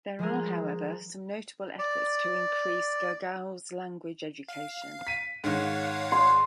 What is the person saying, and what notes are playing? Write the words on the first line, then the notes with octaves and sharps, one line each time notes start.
There are, however, some notable efforts to increase Gagauz language education.
F3 G#3 G#4 A#4
D5
F5
B6 D#7
G#2 D#3 C#5 F5 F#5
C6